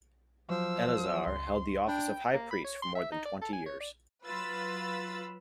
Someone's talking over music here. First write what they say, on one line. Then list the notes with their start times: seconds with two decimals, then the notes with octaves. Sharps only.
Eleazar held the office of high priest for more than twenty years.
0.50 F3 F#3 E6
1.26 C#2 C6
1.88 D4 G5 B5
2.34 A#3
2.51 B5
2.64 C#5
2.82 C6
2.95 E5
3.12 D#4
3.25 D5
3.41 A4
3.53 G#5
3.66 C#5
3.80 D5
4.25 F#3 F4 B4 B5 E6 A6